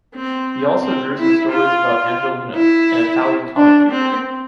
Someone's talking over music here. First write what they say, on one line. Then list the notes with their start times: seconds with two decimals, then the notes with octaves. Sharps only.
He also drew some stories about Angelino, an Italian comic figure.
0.15 C4
0.83 C4
1.18 E4
1.52 F4
2.55 E4
3.57 D4
3.91 C4